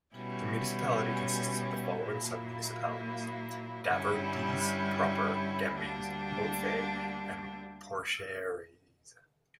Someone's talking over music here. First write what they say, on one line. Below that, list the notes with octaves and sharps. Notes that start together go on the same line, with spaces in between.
The municipality consists of the following sub-municipalities: Daverdisse proper, Gembes, Haut-Fays, and Porcheresse.
B2 G3 C#4 E4
A#2 F#3 A#3 E4
G2 D3 G3 C#4 E4
D2 D3 G3 A#3 D4